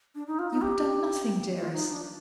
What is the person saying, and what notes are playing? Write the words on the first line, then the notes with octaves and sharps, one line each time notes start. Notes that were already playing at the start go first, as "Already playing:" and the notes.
"You have done nothing, dearest."
D4
D#4
F4
D#4
G4
F4
D#4
D4